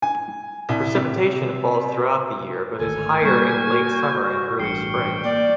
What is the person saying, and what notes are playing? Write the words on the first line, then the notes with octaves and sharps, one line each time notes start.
Precipitation falls throughout the year, but is higher in late summer and early spring.
G#5
C2
C3
G#1 D2 A4 G#5
G3 A#3 C#6 F6 G6
F#4
A1 G2 G5 C7 C#7
A#3 D5